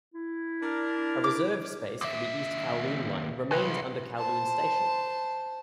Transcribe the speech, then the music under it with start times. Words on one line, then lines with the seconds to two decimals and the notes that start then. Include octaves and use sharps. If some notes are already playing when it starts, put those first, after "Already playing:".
A reserved space for the East Kowloon Line remains under Kowloon Station.
0.14 E4
0.61 D4 A#4
1.24 D6
2.01 D#2 E5 D6
3.51 C2 B4 G5 G#5
4.17 C5 A5